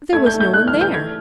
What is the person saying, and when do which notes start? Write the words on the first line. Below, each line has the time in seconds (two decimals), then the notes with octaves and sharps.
There was no one there!
0.13 A3 G#6
0.26 G6
0.34 A3
0.40 G6
0.54 A3 F#6
0.68 F6
0.74 E3
0.81 G6
0.93 A3 G#6